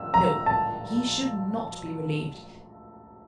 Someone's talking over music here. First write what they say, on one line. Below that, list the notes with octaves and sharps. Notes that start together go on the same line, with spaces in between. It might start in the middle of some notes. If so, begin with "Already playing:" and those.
No! he should not be relieved.
Already playing: E6
A#5
A5